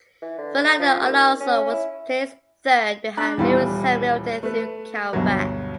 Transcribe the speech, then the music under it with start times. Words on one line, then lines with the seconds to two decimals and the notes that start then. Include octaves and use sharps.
Fernando Alonso was placed third, behind Lewis Hamilton through countback.
0.22 E3
0.38 D3
0.79 F3
1.01 D#2
1.40 C#4
1.71 E4
3.17 D4 A#5 F#6
3.37 D#1 E2 G3 E4 F5 C6
4.43 A3 B4
5.13 D2 G2 B2 F#3